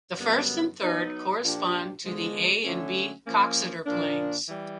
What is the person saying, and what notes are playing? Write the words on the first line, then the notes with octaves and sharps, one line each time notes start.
The first and third correspond to the A and B Coxeter planes.
F#2 D3 G3 B3
F#3 B3 D#4
A#2 F3 A#3 D4 G4
D3 F3 G#3 B3
D3 F#3 A3 C#4
F3 A#3 C#4
A#2 F3 A#3 D4
E3 G3